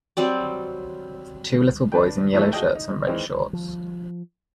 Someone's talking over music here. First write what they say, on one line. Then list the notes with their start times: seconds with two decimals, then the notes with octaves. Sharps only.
Two little boys in yellow shirts and red shorts.
0.17 F#3 G3 C4 D5
1.92 D4 B4 G5
2.33 D2 E3 A3 C#5 E5 E6
2.53 F#4 G#4 A4 D#5 G5
2.75 D#4
3.07 D#3 E3 G#3 C4 D#4
3.53 F3